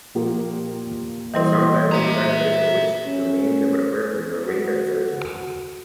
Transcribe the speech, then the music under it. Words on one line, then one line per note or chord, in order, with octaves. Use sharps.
For some time, the exact place to which the name referred remained uncertain.
A#2 F3 A#3 G4
E3 G3 E4 C5 D#5
E5 A#5
C#4
F#4